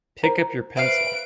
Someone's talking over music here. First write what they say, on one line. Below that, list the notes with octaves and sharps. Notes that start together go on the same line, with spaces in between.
Pick up your pencil.
A#4 C5 A#5
B4 C5 E5 F5 D7